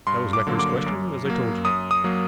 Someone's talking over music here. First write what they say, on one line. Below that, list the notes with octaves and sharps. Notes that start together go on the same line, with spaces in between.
That was my first question, as I told you.
G2 C6
D6
D3 F#3 A#3
D6
F#2
F#3 A#3
F#2 D#6
D#6
F#3 A#3